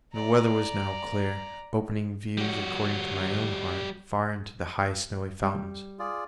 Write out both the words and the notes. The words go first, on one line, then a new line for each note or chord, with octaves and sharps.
The weather was now clear, opening views according to my own heart far into the high snowy fountains.
D5 A#5
G3 F#4
G3
F4 G#4 D5